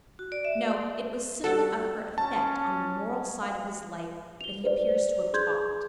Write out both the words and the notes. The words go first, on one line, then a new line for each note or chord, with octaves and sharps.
No, it was simply of her effect on the moral side of his life that he appears to have talked.
F#4
D5
E5
C6
G3 F#4 A4
C#4 A5
F5
F7 G7
B4 C5 D5
G#4 C6 G6 G#6